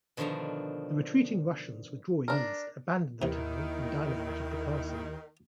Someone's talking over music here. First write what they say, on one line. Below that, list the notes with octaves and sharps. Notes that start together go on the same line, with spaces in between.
The retreating Russians, withdrawing east, abandoned the town and dynamited the castle.
B2 D3 D#3 F3 D4 A#5
D4 A#4
D#2 C3 D#3 E3 E4